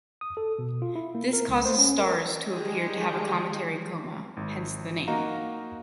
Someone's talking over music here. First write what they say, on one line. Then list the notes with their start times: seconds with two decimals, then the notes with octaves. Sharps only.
This causes stars to appear to have a cometary coma, hence the name.
0.21 D#6
0.37 A4
0.59 B2
0.82 F4
0.95 E4
1.15 A#3
1.33 A#4
1.48 C#2
1.66 C5
1.78 C#4
1.99 A#4
2.48 D#3 G3 G#3 G4 G#4
4.37 G#1
5.08 A#3 D#4 F#4 D#5 F5 A#5